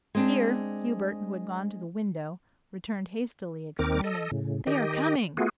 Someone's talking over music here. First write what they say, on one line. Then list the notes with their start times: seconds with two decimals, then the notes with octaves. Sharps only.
Here Hubert, who had gone to the window, returned hastily, exclaiming, "They are coming!"
0.15 G#3 C4 D4
3.79 D#2 D#3 C4 A#4 D6
4.04 A4 D#5
4.32 A2 C#3
4.67 D#3 G4 D#5
5.37 A3 B3 F4 F#4 G#4